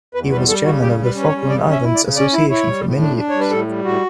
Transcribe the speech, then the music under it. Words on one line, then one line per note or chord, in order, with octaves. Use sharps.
He was chairman of the Falkland Islands Association for many years.
E2 B4
G3 B4
G3 A4
C#3 F#4
G3 G4
G3 B4
C#4
B4
C#5
G3
C#3 D5
C#4
E5
E4
D5
C#3
C#4 D5
E4
E4 C#5
G3
A2
D4
D4
G3 C#5
B4
A2 A4
G3
A2 F#4